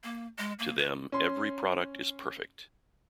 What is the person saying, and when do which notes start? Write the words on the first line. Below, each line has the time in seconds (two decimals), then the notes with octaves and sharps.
To them, every product is perfect.
0.04 A#3
0.38 G#3
0.59 A#3
0.78 B4
1.12 C#4 C6